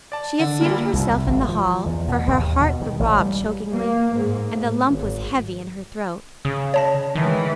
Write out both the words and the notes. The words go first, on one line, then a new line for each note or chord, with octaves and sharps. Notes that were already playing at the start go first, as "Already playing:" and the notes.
She had seated herself in the hall, for her heart throbbed chokingly, and the lump was heavy in her throat.
D5 A5
D3
A#2 G3 E4 A#4
C2
G#1
F3
E2
B2
D#2
B2
D#3
A1
G3
A#3
G#2
A2
G#1
C#3 D#6
C#5 A5 A#6
D#3 E3 G#3